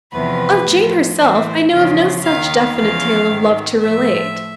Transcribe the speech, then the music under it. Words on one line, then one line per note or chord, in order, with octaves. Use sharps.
Of Jane herself I know of no such definite tale of love to relate.
E2 C3 F3 B4
A2 F3
A2 E3 C5
E2 C#3 F3
D#2 D#3 F5
E2 C#3 F3 F5
G#2 D#3
A2 F3 E5